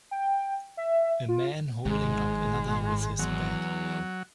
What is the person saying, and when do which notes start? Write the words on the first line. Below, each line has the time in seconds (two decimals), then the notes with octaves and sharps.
A man holding up another with his back.
0.11 G5
0.77 E5
1.29 F4
1.85 G#1 G#2 G#3
3.19 E2 F#3